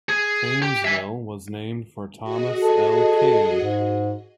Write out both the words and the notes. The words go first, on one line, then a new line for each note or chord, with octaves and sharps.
Kanesville was named for Thomas L. Kane.
G#4
G4
E5 G#5
F#4 G#4 D#5
A4
G#2